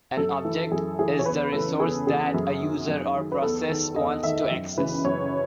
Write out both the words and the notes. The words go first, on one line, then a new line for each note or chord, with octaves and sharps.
An object is the resource that a user or process wants to access.
F#2 A4
E3
F#2 G#4
E3 G#4
C#5
E2 B4
C#3 E3 A4
E2 G#4
C#3 E3 G#4
F#2
D#3
F#2
D#3
B4
E2 A4
D#3
E2 D#5
D#3 E5
F#2
C#3 E3 B4
F#2 C#5